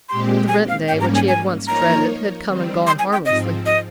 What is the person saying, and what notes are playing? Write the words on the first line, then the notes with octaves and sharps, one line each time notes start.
The rent-day, which he had once dreaded, had come and gone harmlessly.
A#2 G#3 C4 G4 C6
G#5
F5
G#2 G3 A#3 C#4 G5
A#5
G#5
G#5
F3 A#3 D#4 A#4 C#5 A#5
D#3 G3 C4
C6
G#5
G5
G#2 F3 C4 D#5
D#5